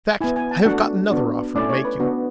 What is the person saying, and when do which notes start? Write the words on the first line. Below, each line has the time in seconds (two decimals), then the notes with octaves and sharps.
In fact, I have got another offer to make you.'
0.21 B3 E4 G#5
0.36 G#5
0.51 A5
0.65 A3 D4 F#4 F#5
1.10 B3 D4 F#4
1.55 A3 C#4 E4 D5
1.69 C#5
1.85 B4
2.00 B3 D4 F#4